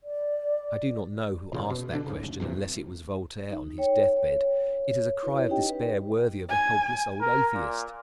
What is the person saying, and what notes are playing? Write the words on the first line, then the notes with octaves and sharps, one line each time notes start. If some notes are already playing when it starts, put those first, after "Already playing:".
I do not know who asked that question, unless it was Voltaire on his death-bed; it is a cry of despair worthy of a helpless old atheist.
D5
A#2 C#3
B2
D1 B2 D3 D4
C2 G#2 C#3
F1
A#1 E2 G2 C3
D#4
C#5 G5
C#5
E4 F#4 B4 C#5
C#4 D#4 G4 D#5 G5
B4
G#5
A#4
A#2